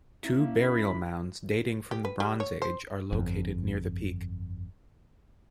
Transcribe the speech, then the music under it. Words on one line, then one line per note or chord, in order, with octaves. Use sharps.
Two burial mounds dating from the Bronze Age are located near the peak.
C#4 E4
A#3
B5
G4
B4
G3
C#5
C5
G1 F2